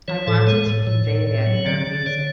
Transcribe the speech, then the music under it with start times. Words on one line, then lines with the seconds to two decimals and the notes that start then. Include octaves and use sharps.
I wanted to convey that in our music.
0.08 E3 C#5
0.27 A2 A4
0.47 G#3 C#5
0.67 A2
0.86 A2 C#5
1.06 A2
1.27 A2
1.46 F#3
1.66 D3 D5
1.87 D3
2.06 D3 C#5